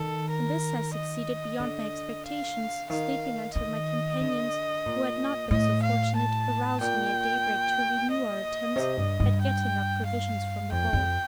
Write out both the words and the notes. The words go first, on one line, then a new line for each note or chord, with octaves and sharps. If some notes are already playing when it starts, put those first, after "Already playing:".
In this I succeeded beyond my expectations, sleeping until my companions, who had not been so fortunate, aroused me at daybreak to renew our attempts at getting up provisions from the hull.
Already playing: D#3 A4
A#4
D#5
D3
F5
D#3 F5
D#3 D#5
D3
A#2
A2 D#5
F5
A5
A#2 G5
D#5
C3
G2
G2
G5
F5
F2 G5
F2